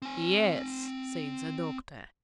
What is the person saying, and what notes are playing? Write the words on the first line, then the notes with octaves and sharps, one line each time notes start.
"Yes," said the doctor.
C4 G#5